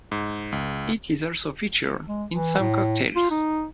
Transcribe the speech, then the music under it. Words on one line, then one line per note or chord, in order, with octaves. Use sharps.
It is also featured in some cocktails.
G#2
C#2
G#3
E3
A2
F4
D#4